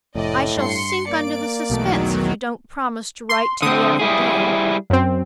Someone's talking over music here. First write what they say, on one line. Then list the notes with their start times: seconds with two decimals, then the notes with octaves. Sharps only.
"I shall sink under the suspense, if you don't promise to write to me every day."
0.15 F1 A2 D5 D#5
0.58 G2 C6 C#7
1.09 A#3 D5 D7
1.70 B1 E2 B2 D#3 F#3 A3
3.29 C6
3.62 D3 C4 D#6
3.99 G3 E4 G#4
4.90 F#2 C4